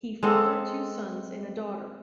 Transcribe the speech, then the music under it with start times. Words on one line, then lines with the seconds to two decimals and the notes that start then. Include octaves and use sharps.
He fathered two sons and a daughter.
0.23 G#3 C4 A4